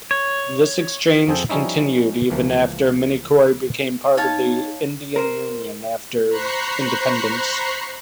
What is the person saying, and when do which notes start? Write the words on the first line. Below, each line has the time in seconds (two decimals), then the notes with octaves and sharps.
This exchange continued even after Minicoy became part of the Indian Union after independence.
0.11 C#5
1.27 F2 F3 C4 G#4 A4 G5
1.49 F3 G3 C#4 D#4 E4
2.30 C#2 E3 F3 A#3
4.17 D#4 C#5 F5 A5
5.16 A#4 C5
6.29 C5 A#5 B5 C#6 F#6 C7